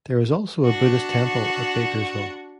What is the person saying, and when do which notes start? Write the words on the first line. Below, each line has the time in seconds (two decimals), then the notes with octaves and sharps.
There is also a Buddhist temple, at Bakersville.
0.64 D4 F#4